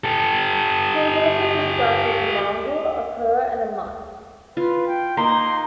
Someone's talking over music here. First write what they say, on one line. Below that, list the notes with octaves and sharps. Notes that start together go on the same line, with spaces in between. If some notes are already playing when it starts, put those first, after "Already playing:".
He was also described as a mongrel, a cur, and a mutt.
G4 A4
F4 B4
G5
A#3 D#4 A#5 C6